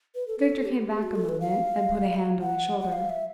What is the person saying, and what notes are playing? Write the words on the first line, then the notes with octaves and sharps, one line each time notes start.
Victor came back a moment and put a hand on his shoulder.
B4
A4
A4
G4
G#4
F#4
A4
B4
F5
F#5
F#5
F5
E5